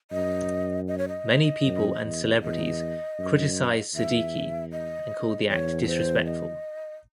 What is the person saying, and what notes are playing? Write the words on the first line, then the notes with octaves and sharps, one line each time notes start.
Many people and celebrities criticized Siddiqui and called the act disrespectful.
F#2 D#5
D#5
C#5
D#5
F#2
E2
E2 D#5
F#2
E2 E5
D#5
E2 C#5
A4
C5
D#5